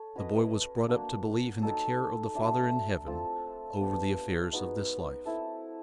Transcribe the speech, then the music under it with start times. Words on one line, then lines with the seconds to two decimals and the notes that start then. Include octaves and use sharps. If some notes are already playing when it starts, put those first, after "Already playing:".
The boy was brought up to believe in the care of the Father in Heaven over the affairs of this life.
Already playing: A4 C#5
0.16 C#4 F#4 B4 D#5
0.89 A#3 D4 F#4
1.62 D#4 F#4 A4 C#5
2.34 F#3 A3 D4
3.07 C4 F4 A4
3.80 B3 D4 G4
4.53 G#3 B3 D#4 F#4
5.26 C4 E4 A4